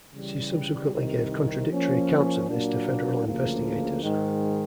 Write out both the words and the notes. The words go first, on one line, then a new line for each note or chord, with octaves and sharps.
She subsequently gave contradictory accounts of this to federal investigators.
C#3 E3 G3
C2 C3 D#3
F3 A#3 C#4
A#2 F#3 A#3 D4
D2 C#3 F3 A#3
G#2 D#3 G#3